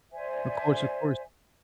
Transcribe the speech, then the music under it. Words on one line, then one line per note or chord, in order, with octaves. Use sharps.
Of course, of course.
C5 D5 E5 G#5